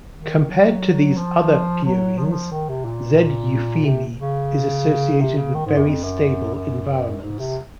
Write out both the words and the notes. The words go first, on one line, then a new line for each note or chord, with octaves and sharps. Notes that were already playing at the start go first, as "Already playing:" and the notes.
Compared to these other pierines, "Z. eupheme" is associated with very stable environments.
D#3
F#3
F3
F#3
F3
F#3
F3
D#3
C3
A#2
C3
C#3
C3
C#3
D#3
G#2
F#2
F2
F#2
F#2
G#2
C3